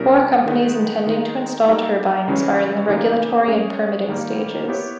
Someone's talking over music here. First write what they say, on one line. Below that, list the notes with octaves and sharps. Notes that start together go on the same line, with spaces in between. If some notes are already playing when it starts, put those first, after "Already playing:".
Four companies intending to install turbines are in the regulatory and permitting stages.
Already playing: B2 G3 C#4 E4 A#4
D#3 G#3 B3
D#3 G#3 D#4
G3 A#3 D#4
C#3 E3 G#3 C#4
C#3 E3 A#3 D#4 G4
G#3 C#4 G#4 C#5
D#3 G3 A#3
B3 E4 G4 C#5